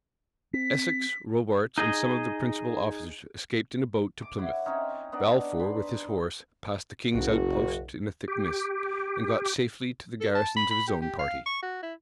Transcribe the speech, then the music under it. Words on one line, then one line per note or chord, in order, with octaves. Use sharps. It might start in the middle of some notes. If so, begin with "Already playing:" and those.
Essex, Robarts, and some of the principal officers escaped in a boat to Plymouth; Balfour with his horse passed the king's outposts in a thick mist, and got safely to the garrisons of his own party.
C4 B6
D#4 G#4 D#5
D6
E4 C#5 F#5
C4 C#4 D#4 E4
B3 D4 D#4 D5
B5 C6
F#1 B1 F#4
G4
A4
A5
B5
B5
G4
G4
F5
C#6
F#4
E4